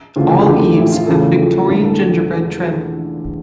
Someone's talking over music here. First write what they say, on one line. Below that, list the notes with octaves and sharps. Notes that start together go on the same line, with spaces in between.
All eaves have Victorian gingerbread trim.
D2 C#3 E3 A3 F4
G4
F1 E2 D3 A3 G4
A#1 A2 E3 E4
F4
E2 C#3 E3 A3 A4
A#1 A#2 A3
E1 E2 D3 A3
A4